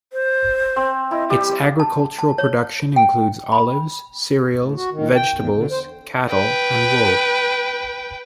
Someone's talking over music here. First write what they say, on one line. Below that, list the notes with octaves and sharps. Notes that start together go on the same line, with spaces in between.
Its agricultural production includes olives, cereals, vegetables, cattle and wool.
C5
C4
E4 D#5
G3 G4
A5
A5
C#5
G5
B5
A2
F#4
D#3
G5
E2
D3
C5
B4 G5